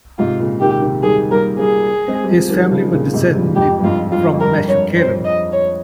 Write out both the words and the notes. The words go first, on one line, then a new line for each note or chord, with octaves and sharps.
His family were descended from meshuchrarim.
G#2 C3 F4
A#2 C#3
C3 D#3 G4
C3 D#3
D#3 G3 G#4
G3 A#3 A#4
G3 A#3 G#4
G#3 C4
G3
F3 G#3
D#3 G3
C#3 F3
A#2 C#3
G#2 C3
G2 A#2
F2 G#2 G4
G2
F2 G#2 F4
G2 F4
F2
G2 A#4
G2 C#5
F2 C5
D#5
C#5